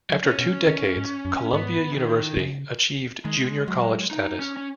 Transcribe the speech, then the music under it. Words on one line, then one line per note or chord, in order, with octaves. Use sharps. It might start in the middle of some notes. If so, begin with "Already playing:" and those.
After two decades, Columbia University achieved junior college status.
F#3
C#4
B2
D#3 C#4
G#2
F#2
G#2 B3
C#3
D#3
C#3
D#3 G#3
F#3
D#4
C#4
C#4